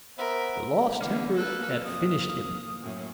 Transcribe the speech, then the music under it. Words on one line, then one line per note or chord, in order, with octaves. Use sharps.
The lost temper had finished him.
B3 A#4 C5 E5 B5
D3 E3 A#3 B3 C#4
A#3 A4 B4 F#6
F2 D#6
F#2 A2